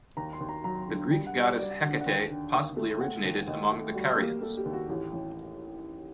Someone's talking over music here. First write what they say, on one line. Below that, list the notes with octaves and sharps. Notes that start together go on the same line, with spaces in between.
The Greek goddess Hecate possibly originated among the Carians.
D#2 A#5
C6
D#2
A#5
F#3 A#5
D3
G3 G5
F#5
G3
D5
G3 D5
D3 F#5
F#5
D#2 G5
D3
D#2
A3
A3 F#5
D#2
D#2 D#5
A3
G3 F#4
A#3 G4
A#3 A4
G4
D#2
F#4
A1 G4
A1